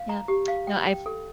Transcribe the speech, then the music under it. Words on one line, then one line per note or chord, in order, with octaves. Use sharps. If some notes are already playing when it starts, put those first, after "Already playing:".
Yep. No, I've
Already playing: F5
A#5
G4
F5
G5
G5
A4